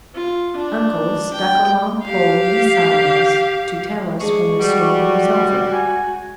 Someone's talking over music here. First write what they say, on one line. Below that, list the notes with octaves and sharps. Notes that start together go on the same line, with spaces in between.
Uncle stuck a long pole beside us to tell us when the storm was over.
F4
D4
G5
G4 F5
G#3 D4 G#4 C#6
G3 F#4
G#5